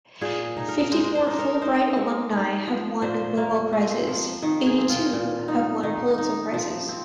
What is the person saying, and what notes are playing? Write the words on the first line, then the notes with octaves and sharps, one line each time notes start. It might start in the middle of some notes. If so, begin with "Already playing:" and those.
Fifty-four Fulbright alumni have won Nobel Prizes; eighty-two have won Pulitzer Prizes.
A#2 G#4
D#4
A#4
G#3 C5
C5
D#4
A#4
D#4 C5
G#3
D#4
F3
A#2 C5
A#3
C4
F3
D#3
G#4
C4
F4
A#2
D#4
D#3 D#4
D#4
F3
C4